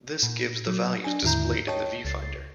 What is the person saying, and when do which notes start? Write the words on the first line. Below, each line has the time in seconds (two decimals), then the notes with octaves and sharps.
This gives the values displayed in the viewfinder.
0.23 A#2
0.67 F#3
1.04 D4 G#5
1.23 D#2 G#2 D3 E4 A#5 G6
1.68 C#5 D#5 G5 A5
2.05 C#2 A6 C7